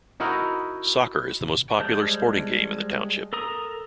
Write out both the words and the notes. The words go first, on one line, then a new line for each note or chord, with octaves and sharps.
Soccer is the most popular sporting game in the township.
D#4 E4 F#4 A#4 D#5
G3 G#3 C5 A5 G6
A4 A#4 A#5 D#6